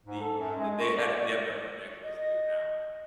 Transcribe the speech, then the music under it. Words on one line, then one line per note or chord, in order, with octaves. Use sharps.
the that they had a demo. You can actually listen to it now.
G#2
A4
F#2
G#3
C#6
D5
D#5